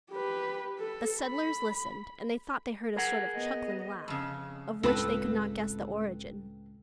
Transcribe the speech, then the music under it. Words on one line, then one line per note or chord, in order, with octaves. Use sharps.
The settlers listened and they thought they heard a sort of chuckling laugh, of which they could not guess the origin.
G4 B4
A4
B5
G#4 A#4 F#5
B3 D#5
F2 C#3
C#2 A2 C4 A4 B4